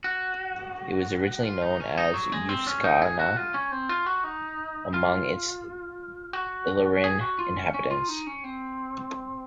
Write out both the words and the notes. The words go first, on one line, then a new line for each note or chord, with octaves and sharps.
It was originally known as "Uskana" among its Illyrian inhabitants.
F#4
F4
D#4
C#4
D#4
F#3
G#3
C4
C#4
D#4
G#4
F#4
F4
C#4
C4
F4
F#4
D#4
F4
F#4
G#4
F#4
F4
C#4
C#4
F4
D#4
C#4
C4